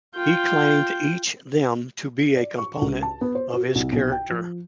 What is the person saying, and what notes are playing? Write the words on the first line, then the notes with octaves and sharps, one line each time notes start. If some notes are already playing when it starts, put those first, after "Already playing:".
He claimed each them to be a component of his character.
F4 G5
D5
C#6
C#2
A5
B3
C5
F#4
C2
B1
G5
F3